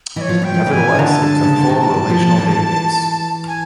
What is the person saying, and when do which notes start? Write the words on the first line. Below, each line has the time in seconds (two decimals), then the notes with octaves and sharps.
Nevertheless, it was a full relational database.
0.16 E3 D#5
0.21 C#5
0.29 F3
0.42 E3 G5
0.54 F3
0.67 E3
0.72 G#5
0.95 C#3
0.99 D3 A#5
1.03 A5
1.43 C#3
1.56 D3
1.69 D#3
1.82 E3 A#5
1.85 A5
2.10 F3
2.38 E3
3.47 G#5